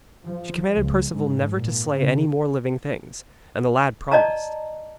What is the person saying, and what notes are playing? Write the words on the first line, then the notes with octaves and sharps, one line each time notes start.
She commanded Perceval never to slay any more living things, and the lad promised.
F3
C#2
G#2
A#2
C#3
D5 D#5 A5 A#5